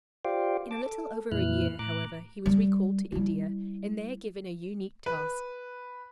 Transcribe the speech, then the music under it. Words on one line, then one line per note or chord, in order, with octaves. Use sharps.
In a little over a year, however, he was recalled to India, and there given a unique task.
F4 G4 C5 D5 F5 G5
A5 D6
A4
F2 A#2 E3 E4 F6 F#6
A2 A#5 D6 F#6
G3
G3 E4
B4